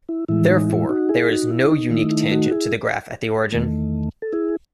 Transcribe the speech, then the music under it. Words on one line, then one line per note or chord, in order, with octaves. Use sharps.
Therefore, there is no unique tangent to the graph at the origin.
E4
A2 E3 G#3 E4
D#4
E4
D#4 F#4
E4 G#4
D#4 F#4
E4
D#4
D#3 A3 D#4 E4
E4
D#4 F#4
E4 G#4
E2 D#3 A3
A4
E4 G#4